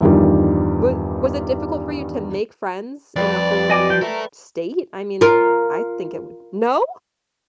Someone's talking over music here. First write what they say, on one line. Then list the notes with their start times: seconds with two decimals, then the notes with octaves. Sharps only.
Wa was it difficult for you to make friends in a whole new state? I mean, I think it would no?!
0.01 E2 G2 D#3 F3 G3
3.16 F2 G3 B4 D5
3.70 D#5 G#5 D6
3.90 F3 G5
4.01 A4 A#4 E5
5.21 F4 A#4